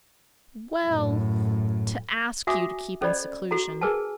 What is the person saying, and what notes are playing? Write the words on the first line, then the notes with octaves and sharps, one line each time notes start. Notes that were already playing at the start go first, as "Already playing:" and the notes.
"Well--to ask you to keep in seclusion."
F#2 A2
F#4 E5 G#5 D6 D#6
C#4 A4 C5 D5 D#5 B5
F#4 A4 A#5
G#4 A#4 B4 G#5 A5